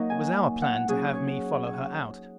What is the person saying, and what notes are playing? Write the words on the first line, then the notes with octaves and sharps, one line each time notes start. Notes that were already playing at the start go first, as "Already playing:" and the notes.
It was our plan to have me follow her out.
Already playing: F#3 A#3 D#4 A#4 D#5 A#5 C#6
G#5
F#5
F#3 C#4 G#4
C#5
C#5